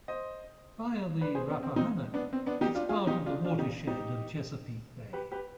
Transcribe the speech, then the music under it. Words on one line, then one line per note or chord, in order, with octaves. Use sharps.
Via the Rappahannock, it is part of the watershed of Chesapeake Bay.
C5 D#5
B4 D5
G#4 C5
B3 D4
C4
C4 D#4
B3 D4
C4
B3 D4
D#4 G4
D4 F4
F4 G#4
D#4 G4
D4 F4
D4 F4
D#4 G4
D#4 G4
G4 B4
G4 B4